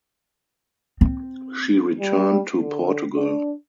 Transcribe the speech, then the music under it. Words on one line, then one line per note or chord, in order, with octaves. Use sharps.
She returned to Portugal.
C4
G3
D3
D4